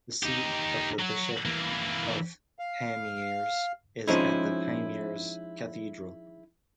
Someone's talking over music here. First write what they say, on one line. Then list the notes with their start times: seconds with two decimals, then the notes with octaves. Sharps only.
The seat of the Bishop of Pamiers is at the Pamiers Cathedral.
0.23 D#4 G4
0.99 F#3 F#4
1.45 E3 A#3
2.59 F5
4.07 F3 G#3 C4 C#4 D#4 E4